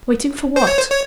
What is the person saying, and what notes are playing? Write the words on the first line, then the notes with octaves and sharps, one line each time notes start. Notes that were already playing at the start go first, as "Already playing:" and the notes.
Waiting for what?
C5
C#5
C5
C#5